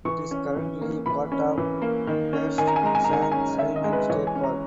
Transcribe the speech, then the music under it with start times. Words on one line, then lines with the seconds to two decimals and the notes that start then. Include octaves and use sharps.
It is currently part of Hearst San Simeon State Park.
0.05 E3 C#6
0.31 C#4
0.56 E3
0.81 A#3
1.06 E3 B5
1.32 C#4
1.58 E3
1.82 A#3
2.07 D#3
2.33 C#4
2.58 D#3 G#5
2.67 A#5
2.76 G#5
2.83 G#3 A#5
2.95 G#5
3.04 A#5
3.09 D#3 G#5
3.22 A#5
3.32 C#4 G#5
3.59 D#3 E5
3.76 D#5
3.84 G#3
3.93 B4
4.09 E3 C#5
4.27 G#5
4.35 C#4
4.43 A#5